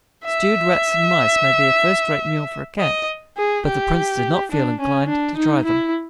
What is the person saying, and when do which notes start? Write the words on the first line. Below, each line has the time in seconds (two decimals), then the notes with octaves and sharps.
Stewed rats and mice may be a first-rate meal for a cat, but the Prince did not feel inclined to try them.
0.25 E5
2.80 D#5
3.37 G#4
3.66 G4
4.52 D4
4.80 C#4
5.09 D4
5.37 D#4
5.65 E4